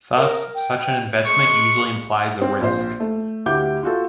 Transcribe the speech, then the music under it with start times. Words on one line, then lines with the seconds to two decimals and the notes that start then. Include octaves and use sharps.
Thus, such an investment usually implies a risk.
0.16 A#4
0.55 G5
1.25 G#3 C#6
2.42 C4
2.61 A#1 C5
3.00 A3
3.46 D2 E4 G4 F#5 D6 G6
3.83 F4 F#4 A4